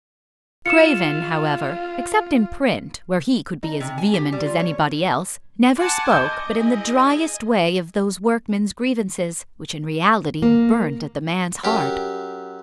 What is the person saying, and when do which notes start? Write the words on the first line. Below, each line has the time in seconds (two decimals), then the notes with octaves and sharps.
Craven, however, except in print, where he could be as vehement as anybody else, never spoke but in the driest way of those workman's grievances, which in reality burnt at the man's heart.
0.66 F4 C#7 E7
3.63 D#4
3.80 C3
3.98 G#5
4.14 G4
4.32 G3
4.46 F4
4.60 C#5
5.78 F#5 G#5 A5 C6 D6
6.13 D#5 G6
6.59 E4 G#4 G#5
10.42 A#3
11.64 F#2 G4